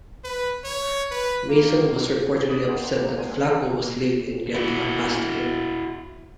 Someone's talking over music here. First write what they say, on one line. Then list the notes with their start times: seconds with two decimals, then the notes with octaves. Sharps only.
Mason was reportedly upset that Flacco was late in getting a pass to him.
0.24 B4
0.64 C#5
1.11 B4
1.48 A#3
2.49 B4 D5 D#5 B5
2.66 A#3 D#4 F#4 G#4 C5 D5
2.81 G4 B4
3.01 A3 A#3 C4 D4 A#4
3.17 G#3 B3 C4 D4 C5 G#5
4.55 E4 F#4